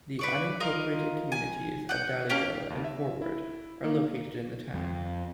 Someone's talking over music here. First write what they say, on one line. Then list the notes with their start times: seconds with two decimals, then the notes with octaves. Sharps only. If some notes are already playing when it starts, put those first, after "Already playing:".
The unincorporated communities of Daleyville and Forward are located in the town.
0.19 B4 D5 C#6
0.60 F4 A#4 D#5
1.32 G#5
1.89 F#5 G6
2.30 A#3 C#4 G4 A5
2.70 D#2
2.84 E5
3.22 E4
3.84 A#3
4.74 F2